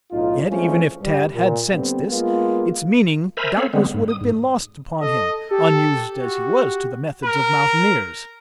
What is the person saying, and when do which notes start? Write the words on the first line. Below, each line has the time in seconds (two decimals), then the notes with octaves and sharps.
Yet, even if Tad had sensed this, its meaning doubtless would have been lost upon him, unused as he was to the methods of mountaineers.
0.12 B1 A2 D#4 F4
0.49 E3 F3 G#3 A3 C4 C#4
1.02 G2 G3
1.34 A#2
1.73 D3 G3 B3 C4
2.09 G#3 A#3 B3 F4
3.37 A#4 C5 E5 G#5 A#5 B5
3.57 C4 A4 C#5 F5 B5
3.73 D3 G3 G#3 B3 C4
3.94 G#2
4.08 D#6
4.21 G#2
5.01 A4 D#5
5.51 G4 A4
6.19 F#4
7.25 A#4